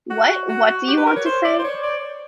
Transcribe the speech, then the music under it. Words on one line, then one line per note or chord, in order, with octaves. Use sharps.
What? What do you want to say?...
F#4
F#4
G4
B4
A#4
C#5
C5
D5
C5
C#5
D5